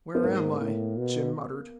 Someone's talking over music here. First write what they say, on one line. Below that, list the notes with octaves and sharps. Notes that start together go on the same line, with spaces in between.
"Where am I?" Jim muttered.
B3
G#2 A#3
A2
B2